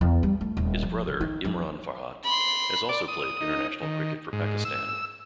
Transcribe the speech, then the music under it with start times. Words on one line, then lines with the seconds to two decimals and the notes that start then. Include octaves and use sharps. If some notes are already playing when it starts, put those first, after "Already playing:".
His brother, Imran Farhat has also played international cricket for Pakistan.
0.01 E2
0.23 G3
0.41 A3
0.57 D#1
0.83 F3
1.08 D3
1.21 D#3
1.45 F2
2.24 B5 C6
2.89 D5
3.08 D#6
3.41 D#4
3.82 D#3
4.33 G#2
4.65 E6